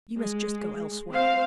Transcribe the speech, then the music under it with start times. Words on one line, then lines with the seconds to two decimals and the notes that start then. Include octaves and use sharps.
You must just go elsewhere.'
0.18 G#3
1.11 C4 C5 F5